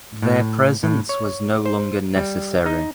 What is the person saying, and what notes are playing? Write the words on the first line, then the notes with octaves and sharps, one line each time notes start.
Their presence was no longer necessary.
A2
A2
C#5
C5
G3
D#4